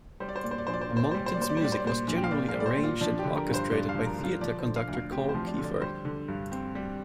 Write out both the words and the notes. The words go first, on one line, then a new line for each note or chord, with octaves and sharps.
Monckton's music was generally arranged and orchestrated by theatre conductor Carl Kiefert.
G3 C5
D5
C5
A#2 D5
C5
D5
A#1 C5
D5
C5
A#3 D5
C5
D5
C5
G3 D5
C5
D5
A#2 C5
D5
C5
G3 D5
C5
D5
A#2 C5
A#1
G5
F5
A#3 D5
F5
G3
D5
C5
A#2
F4
F3 D4
G4
D3
A#4
G2
C5
G2 D5
F5
F3
A#4
D3
F4
F3 D5
C5
D3
F5
D2
F5
C4 G4
C5
F3
D5
D3
D5
G3 C5
D3
G2
C4
G3